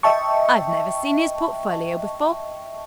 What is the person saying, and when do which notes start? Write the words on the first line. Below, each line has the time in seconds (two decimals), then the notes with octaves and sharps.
I've never seen his portfolio before.
0.03 D#5 E5 G5 A5 C#6